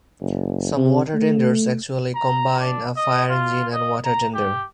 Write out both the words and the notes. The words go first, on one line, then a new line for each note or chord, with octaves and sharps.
Some water tenders actually combine a fire engine and water tender.
F#1
C3
A3
A#5
D4
D#5
F4
D#5
A#5
G4